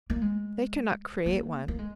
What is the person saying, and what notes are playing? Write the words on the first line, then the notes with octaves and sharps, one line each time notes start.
They cannot create one.
A#3
G#3
A#3
A#3
G#3